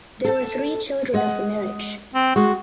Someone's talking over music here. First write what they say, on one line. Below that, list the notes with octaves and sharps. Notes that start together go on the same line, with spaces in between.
There were three children of the marriage.
A4 A5
G#3 D#5 F#5
C4
G#3 F#4